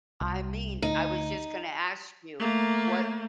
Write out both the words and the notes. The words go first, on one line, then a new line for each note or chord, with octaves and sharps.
I mean I was just gonna ask you what
C2
D2 D#4
A3 A#3